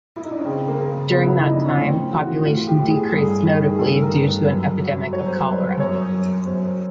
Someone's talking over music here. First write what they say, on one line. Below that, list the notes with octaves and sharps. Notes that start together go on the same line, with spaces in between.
During that time, population decreased notably due to an epidemic of cholera.
E4
D#4
D4
C#4
C#3 C4
A#3
C#3
A#3
C#3 B3
E4
D#4
F3
D4
C#4
A2 C4
E3 F#4
A2 F4
G4
A2
G#4
A4
G2 G#4
D#3
G#4
G2 A4
A#4
G2
B4
F#2
F#3
F#3 C#5
C5
B4
F#2
C5
F#2 C#5
F#2
F#2 C5